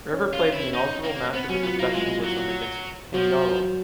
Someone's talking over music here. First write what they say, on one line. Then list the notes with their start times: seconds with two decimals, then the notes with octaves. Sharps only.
River played the inaugural match of the professionalism, against Peñarol.
0.13 C#4 C#5
0.33 F4
0.53 E4
0.74 D#4
1.04 A#3
1.33 B3 C4 C5
1.49 F#3 C#4 F#4
1.63 B3 F4
1.79 A#3 E4
1.94 G#3 F4
2.24 F#3
3.14 F3 F#3 F#4